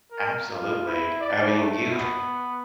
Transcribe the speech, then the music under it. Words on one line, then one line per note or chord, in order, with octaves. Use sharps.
Absolutely. I mean, you
A#4
F4
E4
D5
A3
B3